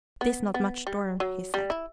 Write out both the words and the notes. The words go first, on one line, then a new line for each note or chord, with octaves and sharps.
"This not much storm," he said.
B3
B3
G3
F#3
G3
E4